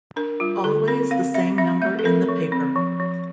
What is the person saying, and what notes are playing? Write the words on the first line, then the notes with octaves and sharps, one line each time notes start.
Always the same number in the paper.
D4 A#4
G3 F4
D3 A4
C4 A#4
C4 F5
C4 E5
C4 E5
A3 E5
A4
C4 A#4
F3
C4
F3
F3